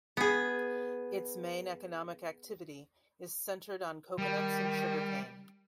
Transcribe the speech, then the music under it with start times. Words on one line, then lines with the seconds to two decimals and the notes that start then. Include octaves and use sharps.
Its main economic activity is centered on coconuts and sugarcane.
0.17 B3 G#4
4.18 D#3 G3